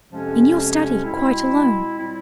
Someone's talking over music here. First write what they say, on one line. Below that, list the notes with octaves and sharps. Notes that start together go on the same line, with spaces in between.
'In your study, quite alone.
F2 C3 F3 G#3 C#4
B2 G#3 C4 E4
A#2 G3 C4 E4